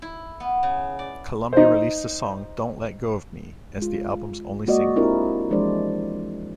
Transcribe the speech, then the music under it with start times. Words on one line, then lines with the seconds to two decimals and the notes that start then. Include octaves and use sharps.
Columbia released the song "Don't Let Go of Me" as the album's only single.
0.02 E4
0.40 B3
0.63 C#3
0.99 D5
1.53 D#4 C5
3.78 G#3 F4
4.67 G#3 A#3 F#4 D5 D#5
4.96 C4 D4 E4 F4 G4 A#4
5.50 E3 F3 G#3 D4 C5 D5